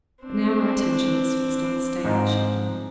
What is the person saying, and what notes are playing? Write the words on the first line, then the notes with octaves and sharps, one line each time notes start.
But now our attention was fixed on the stage.
C4 D4
G#2 F3 D#4